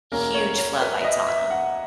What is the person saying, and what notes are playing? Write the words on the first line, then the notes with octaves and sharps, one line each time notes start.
huge floodlights on 'em.
E2 B2 A#3 C#4 A#4
C#5
C#5
B4
E5
D#5
E5
F#5